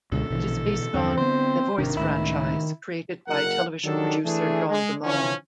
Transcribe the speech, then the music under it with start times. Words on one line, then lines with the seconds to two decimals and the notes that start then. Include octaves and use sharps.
It is based on "The Voice franchise" created by television producer John de Mol.
0.12 C#2 B2 D3 A4
0.30 A#1 B2 D3 E3
0.94 E2 G2 D3 C4
1.18 D3 B3 C5
1.78 G#1 C3 D#3 A#3 D4
1.97 C#2 A2 C#3 E4
3.28 F#1 A#4 F#5
3.84 D#3 F#3 D4 G4 A4
4.25 E3 A3 D4 G#4
4.69 G#3
5.04 D3 E3 F3 C#4